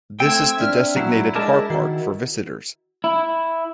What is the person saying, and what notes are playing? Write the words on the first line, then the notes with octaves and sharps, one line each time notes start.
This is the designated car park for visitors.
A3 C4 G5 E6 G#6
D4 E5 F6
A#2 F#3 E4
G#3 D4 A#4 A5
D#3 F#4
E4